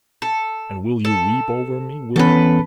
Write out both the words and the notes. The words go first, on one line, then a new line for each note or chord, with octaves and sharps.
"And will you weep over me, will you?"
A4
A4
E3 B3 C#4 A4 B4